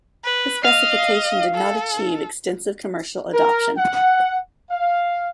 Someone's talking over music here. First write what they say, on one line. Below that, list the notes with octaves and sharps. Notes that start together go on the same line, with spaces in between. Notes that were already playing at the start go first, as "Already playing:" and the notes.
This specification did not achieve extensive commercial adoption.
B4
D#5 F5
A4
A#4
F#5
F5